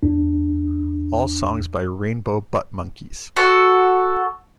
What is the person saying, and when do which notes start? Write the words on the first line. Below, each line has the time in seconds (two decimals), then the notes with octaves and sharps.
All songs by Rainbow Butt Monkeys.
0.03 E2 D4
3.37 F#4 A4